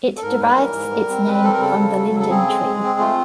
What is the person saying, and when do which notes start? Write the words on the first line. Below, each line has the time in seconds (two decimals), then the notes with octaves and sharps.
It derives its name from the Linden Tree.
0.17 A4
0.23 G#2 A#4
0.40 G3 B4
0.57 E3 A#4
0.75 G#2
0.92 G3
1.10 C4
1.26 C4 B4
1.44 G3 A4
1.53 A#4
1.61 C#3 A4
1.79 C#3
1.97 F#3
2.13 C#3
2.20 A4
2.30 C4 G#4
2.48 G#3
2.65 G#3
2.83 C4
2.99 A3 F4